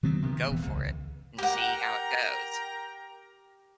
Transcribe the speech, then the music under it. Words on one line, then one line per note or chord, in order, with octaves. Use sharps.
go for it and see how it goes
D#3 F#3 B3 C4
C3 D#3 G#3 B3
D1 E3
C#2
G4 A#4 F#5 G5 A#5